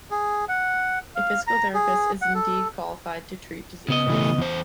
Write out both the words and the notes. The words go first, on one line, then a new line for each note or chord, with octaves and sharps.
A physical therapist is indeed qualified to treat diseases.
G#4
F#5
F5
A#5
G#4
F#5
A4
C#3 B3 D#5
B2 E3 A3
E2 C5